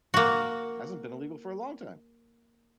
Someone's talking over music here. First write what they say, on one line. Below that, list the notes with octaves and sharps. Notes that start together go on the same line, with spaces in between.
Hasn't been illegal for a long time,
A#3 F#4